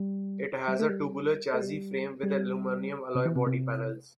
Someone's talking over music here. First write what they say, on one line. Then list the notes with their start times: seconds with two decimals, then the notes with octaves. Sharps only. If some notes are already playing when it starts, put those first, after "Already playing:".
It has a tubular chassis frame with aluminium alloy body panels.
Already playing: G3
0.68 G3
0.79 A3
0.89 G3
1.54 A3
1.61 G3
2.23 G3
3.15 C3
3.26 E3
3.36 C3
3.47 C3